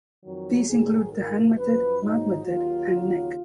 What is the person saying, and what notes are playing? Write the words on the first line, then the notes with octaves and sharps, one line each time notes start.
These include the hand method, mouth method and neck.
F2 D#3 F#3
G#2 D#3 F#3 G#4
G#2 F3 A#4
F#2 F3 B4
G#2 F#3 D#4
D#2 D#3 F#3 F4
D#2 C#3 F#3